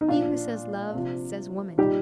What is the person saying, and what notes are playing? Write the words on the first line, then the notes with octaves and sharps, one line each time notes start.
He who says love, says woman.
D#4
A#2 F3 D4 F4
C3 F3
A#2 G3 D#4 G4